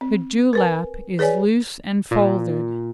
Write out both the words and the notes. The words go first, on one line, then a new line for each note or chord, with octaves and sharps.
The dewlap is loose and folded.
C4
A#4 B4 G#5
G#4 B4 C#5 D5 G#5
A#2